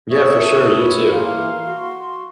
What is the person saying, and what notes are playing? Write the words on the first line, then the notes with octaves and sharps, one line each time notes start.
Yeah, for sure, you too.
C#5 E5 D#6
A4
B4
E3 A#3 F5 C6
F#4